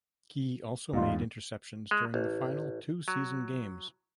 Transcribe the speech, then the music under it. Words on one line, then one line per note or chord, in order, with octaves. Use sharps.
Key also made interceptions during the final two season games.
E2 G#2 G3 D#4 F4
G#3
A1
F#3